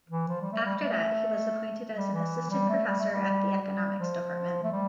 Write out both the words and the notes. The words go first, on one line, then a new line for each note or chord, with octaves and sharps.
After that, he was appointed as an Assistant Professor at the Economics Department.
E3
F3
G3
A3
G3
G3
A3
G3
E3
G3
A3
G3
A3
G3
G3
F3
A3
G3